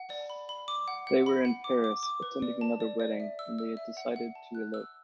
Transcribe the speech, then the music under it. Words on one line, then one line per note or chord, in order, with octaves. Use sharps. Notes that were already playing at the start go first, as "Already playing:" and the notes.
They were in Paris attending another wedding when they decided to elope.
Already playing: F#5
D5
B5
B5
D6
F#5
F#5
B5
F#5
D6
D6
D6
B4
D5
A5
D5
D5
E5
E6
E6
E5
F#5
F#5
A5
F#6
E6